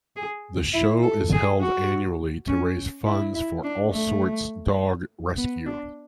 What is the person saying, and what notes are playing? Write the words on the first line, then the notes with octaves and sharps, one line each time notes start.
The show is held annually to raise funds for Allsorts Dog Rescue.
G#4
E4
A4
G#4
F#4
C#4
E4
E4
D4
A3
B3
D4